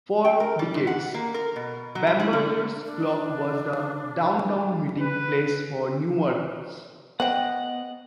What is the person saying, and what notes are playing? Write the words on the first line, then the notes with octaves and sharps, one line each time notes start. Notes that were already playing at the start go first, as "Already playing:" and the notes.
For decades, Bamberger's clock was the downtown meeting place for Newarkers.
G5
A#4
G3
F2
F#5
A#3
A#4
B2
F#3
G3
E4
D3
D4
B4
B3 B4 C5 D#5 F#5 G5